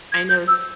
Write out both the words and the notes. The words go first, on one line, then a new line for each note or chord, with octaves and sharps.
I know s
G#6
G6
E6